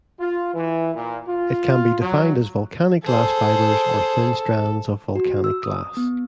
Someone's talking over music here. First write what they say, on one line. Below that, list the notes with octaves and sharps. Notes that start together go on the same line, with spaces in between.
It can be defined as volcanic glass fibers or thin strands of volcanic glass.
F4
E3
A#2
F4
F#3
G#4 A4 C5
F#4
E6
D#6
B3